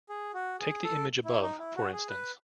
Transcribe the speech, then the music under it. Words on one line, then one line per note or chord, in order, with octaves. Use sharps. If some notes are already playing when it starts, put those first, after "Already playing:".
Take the image above for instance.
G#4
F#4
G#4
A4
E4
D#4
E4
F#4
G#4
B4